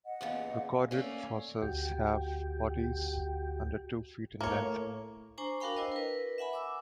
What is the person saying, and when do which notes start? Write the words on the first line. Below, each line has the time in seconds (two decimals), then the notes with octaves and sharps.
Recorded fossils have bodies under two feet in length.
0.06 D#5 F#5
0.21 E2 A#2 C#3
0.91 A3 A#3 C#4 D5
1.62 D2 F#4 G4 G5
4.41 A2 A#3 C#5
5.38 D4 C5 G#5 A#5 C#6
5.60 D4 F#4 A#4 F5 G5 B5
5.77 E4 C5 D#5
5.92 A#4 B4
6.38 E5 F#5 G#5 B5
6.53 D6 E6